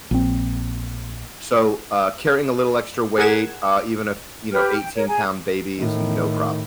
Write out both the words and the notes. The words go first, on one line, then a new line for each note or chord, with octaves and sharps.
So, uh, carrying a little extra weight, uh, even if, you know, eighteen-pound baby is no problem.
A#1 C4
G#4 A#4 F#5 G#5 G#6 E7
G4 B4 F6
G5
A#4 C#5
G#4 G#5 A#5
A2 D#3